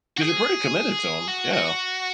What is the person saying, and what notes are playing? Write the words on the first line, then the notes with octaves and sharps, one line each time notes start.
'Cause you're pretty committed to 'em, yeah.
F#4
G#4
F#4
F#4